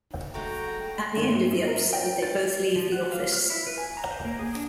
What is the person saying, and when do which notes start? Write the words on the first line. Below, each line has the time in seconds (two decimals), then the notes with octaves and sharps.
At the end of the episode, they both leave the office.
0.34 F#3 G#3 A3 F#4 G5 A#5
1.17 G#1
1.35 F#3
1.51 F#2
1.67 A#4
1.93 G5
2.22 A6
2.76 F3
2.92 F#5
3.12 F5
3.32 F6
3.50 E4
3.67 B4
3.78 G#5
3.97 A#5
4.11 C5
4.25 A#3
4.39 G#4
4.55 D4